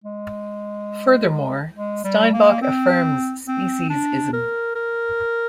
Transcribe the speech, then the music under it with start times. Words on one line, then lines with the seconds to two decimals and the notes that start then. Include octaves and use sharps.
Furthermore, Steinbock affirms speciesism.
0.04 G#3
1.76 G#3
2.04 G3
2.34 A#3
2.62 C4
3.48 C4
3.90 D4
4.33 A#4
4.75 A#4